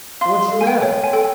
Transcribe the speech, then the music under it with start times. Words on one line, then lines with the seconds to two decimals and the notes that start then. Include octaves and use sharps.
"What's the matter?"
0.21 F5 C6
0.52 A4
0.61 G#5
0.67 G5
0.82 C#5
1.04 G#5
1.13 A4 G5